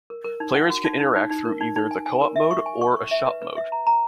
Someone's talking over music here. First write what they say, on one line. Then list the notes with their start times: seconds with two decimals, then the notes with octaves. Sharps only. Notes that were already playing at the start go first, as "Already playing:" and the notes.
Players can interact through either the Co-op mode or a Shop mode.
0.10 A#4
0.24 A#4
0.40 D#4
0.55 F#5
0.70 F#4
0.85 D#4
1.00 D#4
1.16 D#4
1.30 D#4
1.45 A#4
1.61 D#4
1.76 D#4
1.91 G#5
2.06 G#5
2.21 A#4
2.36 E5
2.51 C#6
2.66 G#5
2.81 C#6
2.96 C#6
3.11 E5
3.27 B4
3.42 B4
3.57 E5
3.72 A#5
3.87 A#5